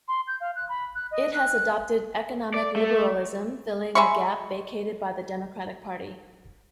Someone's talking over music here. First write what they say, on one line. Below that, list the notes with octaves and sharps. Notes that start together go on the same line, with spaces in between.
It has adopted economic liberalism, filling a gap vacated by the Democratic Party.
C6
G6
F5
F#6
B5
F#6
D#5
F#6
D5
A3
G#3 E5 B5 C#6